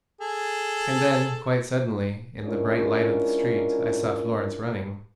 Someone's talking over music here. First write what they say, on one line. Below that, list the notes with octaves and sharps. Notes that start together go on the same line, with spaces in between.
And then, quite suddenly, in the bright light of the street, I saw Florence running.
G#4 A4
G#3 C#4 D4 E4 F4 A#4